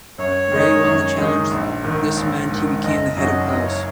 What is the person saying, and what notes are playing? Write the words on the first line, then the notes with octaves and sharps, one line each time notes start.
Ray won the challenge, this meant he became the "Head of House".
F#2 C#5
D#3 G#3 D#4
F#2
D#3 G#3 D#4
A#1
G#2 D#3
A#1
G#2 D#3
F#1 D#5
F#2 F#3 D#4 F#4 D#5
F#1 D#5
C#5